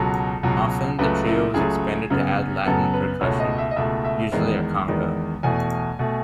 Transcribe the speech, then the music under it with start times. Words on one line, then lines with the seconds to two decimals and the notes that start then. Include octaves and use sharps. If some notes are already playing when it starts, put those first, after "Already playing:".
Often the trio was expanded to add Latin percussion, usually a conga.
Already playing: C#2 B2 F#3 A4
0.43 C#2 B2 F#3
0.99 C#2 C#3 F#3 A3 B4
1.27 E4
1.54 C#2 C#3 F#3 A3 G#4
2.10 F#2 C#3 F#3 B3
2.66 F#2 C#3 F#3 B3 A4
2.93 B4
3.21 C#2 B2 A3 C#5
3.40 D#5
3.58 E5
3.71 D#5
3.76 C#2 B2 A3 E5
4.04 E5
4.32 E2 D#3 G#3 B3
4.88 E2 D#3 G#3 B3
5.43 E2 B2 A3 G#5
5.99 B2 A3